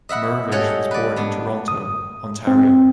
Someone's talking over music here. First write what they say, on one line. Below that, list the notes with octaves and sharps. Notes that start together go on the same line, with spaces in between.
Mirvish was born in Toronto, Ontario.
D#5 E5 F#5 B5
G3 C#4 A4 C#5 D#5 F#5
B4 D5
B3 D4
D#6
C4